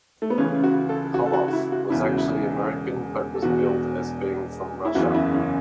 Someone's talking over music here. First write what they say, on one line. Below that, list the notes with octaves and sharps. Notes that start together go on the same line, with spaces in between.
Koloff was actually American but was billed as being from Russia.
A3
B3
C#2 C#3 E3 C#4
F#4
A4
F#4
A4
F#4
F#4
E4
F#4
E1 E2 C#3 E4
F#4
E4
A4
E1 E2 B2 F#4
E4
F#1 E2 C#3 E3 F#4
E4
C#4